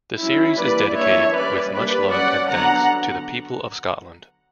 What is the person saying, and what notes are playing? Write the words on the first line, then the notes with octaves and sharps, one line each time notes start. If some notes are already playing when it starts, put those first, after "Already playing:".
The series is dedicated "with much love and thanks to the people of Scotland".
F#3 C#4 E4
E3 G3 A#3 B4 D5
E3 A#3 D4 C#5 E5
G3 C#4 B4 D5
G3 A#3 D4 B4 D5
F#3 C#4 D5 F#5
D3 F#3 B3 D4 F#5 A#5